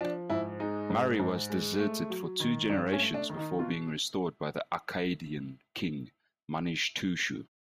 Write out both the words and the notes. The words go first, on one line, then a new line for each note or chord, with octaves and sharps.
Mari was deserted for two generations before being restored by the Akkadian king Manishtushu.
F3 D4
G#2 E4
G#3 D#4
G#2
G#2
G#3
A3
F#3
D#3
G2 D4
C#4
A3
D4
D#3
D#4
B2 F4